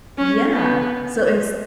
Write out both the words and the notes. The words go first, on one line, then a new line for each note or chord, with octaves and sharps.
yeah, so ins
C#4
B3